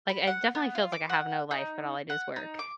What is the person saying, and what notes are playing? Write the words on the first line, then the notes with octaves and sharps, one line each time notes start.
like, it definitely feels like I have no life, but all I do is work.
B5
F#5
B3
F4
D6
F#5
D#4
F#5
D#4
D6